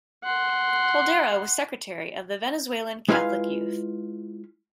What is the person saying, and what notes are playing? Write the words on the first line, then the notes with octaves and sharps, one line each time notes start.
Caldera was secretary of the "Venezuelan Catholic Youth".
F#5 C6
G#3 E4 F4 B4 F5 G#5